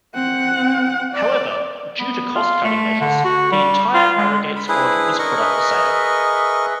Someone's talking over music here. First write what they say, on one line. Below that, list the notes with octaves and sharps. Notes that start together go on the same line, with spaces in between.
However, due to cost-cutting measures the entire Harrogate squad was put up for sale.
C4 F#5
D5
B3
F4
A3
D3
F#4
G3
F4
G#3
B5
D4 E4 G#4 B4 C5
A#4 D#5 C#6
G#4 B4 E5